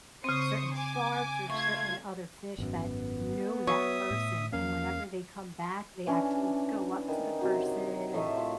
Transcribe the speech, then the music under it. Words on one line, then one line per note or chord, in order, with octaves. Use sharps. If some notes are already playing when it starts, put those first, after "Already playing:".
certain sharks or certain other fish that know that person, and whenever they come back, they actually go up to the person and
C#3 C4 C5 C#6 D#6
G#5 D6
A3 F4 C#6 G#6
G#1 F#2 B3
F#3 C#5 E5 D#6
A2
E2 A#3 C#4 F5
E3 C#4 D4 E4
D#3 E3 A#4
C3 F#3 D#4
A2 A3 D#5 E5
F4